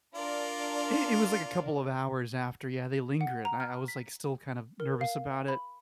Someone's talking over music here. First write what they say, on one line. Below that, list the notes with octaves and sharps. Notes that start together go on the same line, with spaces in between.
It it was like a couple of hours after, yeah, they linger, and I I was, like, still kind of nervous about it.
D4 F4 A#4 D5
F#5
A#5
F6
B6
A#4
F5
B5